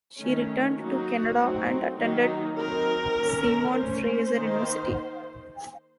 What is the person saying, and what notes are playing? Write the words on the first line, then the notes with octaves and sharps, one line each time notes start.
She returned to Canada and attended Simon Fraser University.
D#3 A3 C#4
F#3 A#3 D#4 F#4
F#3 A3 C4 D#4
D#3 F#3 A#3 D#4
F#3 C4 D#4 A#4
D#3 A#3 C#4
A3 C#4 C5
D#3 A#3 D#4